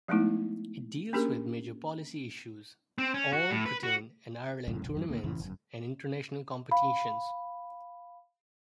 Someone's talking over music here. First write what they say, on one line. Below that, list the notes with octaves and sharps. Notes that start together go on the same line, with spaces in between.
It deals with major policy issues, all-Britain and Ireland tournaments, and international competitions.
F3 G#3 A3 B3 D#4 E4
A#3 C#4 D4 G4 G#4 A#4
C4
C#4
F#4
A2
B4
F#4
G#1 F#2 A2 C#3
E1 A#1
F#2 D#3 F#3
D2 A#3
A1 F#2 C#3 E3
G1 F#2
F5 B5